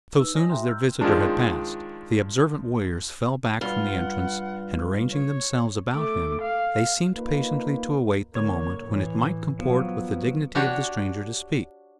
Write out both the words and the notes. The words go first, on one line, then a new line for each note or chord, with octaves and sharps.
So soon as their visitor had passed, the observant warriors fell back from the entrance, and arranging themselves about him, they seemed patiently to await the moment when it might comport with the dignity of the stranger to speak.
D#4 B4 E6
C5 C#5 D#5 G#5 D#6 A#6
F#4 D#5 E5 G5 A#5 C6
E6 F6 G6
D#3 F3 G#3 D4
G2 F4 F#5
C#5
A3 D6
F5
A#3 D#4 F4 B4
D3 A#3 C#5
A2 E3
F3 F#3 B3
D4 F#4 G4 C#5